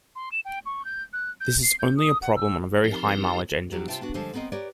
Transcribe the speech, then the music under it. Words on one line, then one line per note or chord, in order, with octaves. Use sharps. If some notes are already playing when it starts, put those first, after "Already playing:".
This is only a problem on very high mileage engines.
C6
E7
G5
C#6
G6
F#6
G6
C7
G6
D#6
F#5
E6
F3 C4 D#4 G4 A#4
D2 F#3 F#4 G4
C3 F4 E5 G5 A5
B3 D4 F#4
D3 F3 G3 G#3 C5 A5
B3 C4 A#4 C5 D#5
G4 A#4 B4 C#5 D5